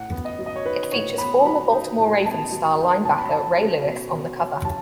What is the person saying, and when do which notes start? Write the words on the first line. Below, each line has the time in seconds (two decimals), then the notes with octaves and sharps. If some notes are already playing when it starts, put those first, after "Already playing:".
It features former Baltimore Ravens star linebacker Ray Lewis on the cover.
Already playing: A2 F#5
0.12 B3
0.25 D#5
0.39 F#3
0.46 D#5
0.56 C#5
0.65 D#4 B4
0.92 A2 C#5
1.18 B3 B5
1.45 F#3 B5
1.72 D#4
1.99 A2
2.25 B3 A5
2.52 F#3
2.79 D#4
3.05 B2 A5
3.19 B5
3.31 C#4 A5
3.58 F#3
3.85 B2
4.12 B2
4.38 C#4
4.65 F#3 A5